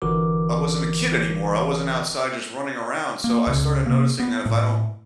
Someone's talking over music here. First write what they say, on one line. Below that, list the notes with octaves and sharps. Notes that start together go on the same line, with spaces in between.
I wasn't a kid anymore, I wasn't outside just running around, so I started noticing that if I don't
G1 D3 E3 F#4 A#4 D6
A#3
C#2 C#3
C3 A#3
B3
A2 A3